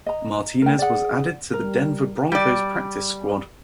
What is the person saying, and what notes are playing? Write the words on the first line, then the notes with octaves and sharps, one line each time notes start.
Martinez was added to the Denver Broncos Practice Squad.
D#5 A#5
A3 A#4 G5
G#4 D5 F#5
G3 A#4
G3 D5